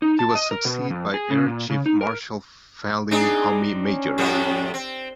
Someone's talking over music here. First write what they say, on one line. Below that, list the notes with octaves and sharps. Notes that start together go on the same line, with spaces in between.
He was succeed by Air Chief Marshal Fali Homi Major.
D#4
A5
D#5
A#4
B2
F2
G#4
C#3
A#2
C#3
D#4
A#4
C4 D4 D#4 G#4
C#4
F2 A2 G3
C4